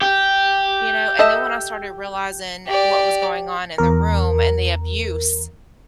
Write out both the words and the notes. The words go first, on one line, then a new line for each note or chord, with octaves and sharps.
You know, and then when I started realizing what was going on in the room and the abuse
G4
A4 D#5 E5
G4 D5
E2 A#4